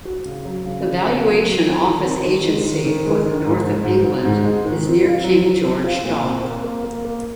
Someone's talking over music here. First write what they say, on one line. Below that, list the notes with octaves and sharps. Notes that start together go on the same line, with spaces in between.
The Valuation Office Agency for the north of England is near King George Dock.
F#4
C#3
F#3
C#3
C#3
C#3
F#3
F#3
C4
D#3
C4
D#3
G#3
D#3
D#3
G#3
D#3
G#2
G#2
G#2
G#2
G#2
G#3
D#3
C4
F4
F#3
F#3
C4
F4
A#2
C4
A#3
A#3
A#3
A#3